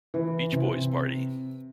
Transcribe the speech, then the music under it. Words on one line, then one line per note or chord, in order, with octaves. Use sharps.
Beach Boys' Party!
E3
C3